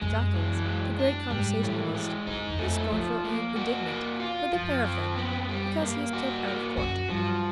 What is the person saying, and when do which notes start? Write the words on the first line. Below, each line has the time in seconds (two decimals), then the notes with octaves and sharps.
Jawkins, the great conversationalist, is scornful and indignant with the pair of them, because he is kept out of court.
0.01 F#2 G#3
0.34 E3
0.66 G#3
0.99 D4
1.30 G#2 G3
1.63 A2 E3
1.95 G#3
2.27 F#2 D#4
2.50 E2
2.59 F2 A3
2.92 F2 F3
3.24 A#3
3.56 F#4
3.87 A#3
4.20 F4
4.52 F#2 F3
4.84 C4
5.16 B3
5.49 G3
5.80 G2 A#3
6.13 F#4
6.45 A#3
6.77 F#2 F#4
7.09 G2 F3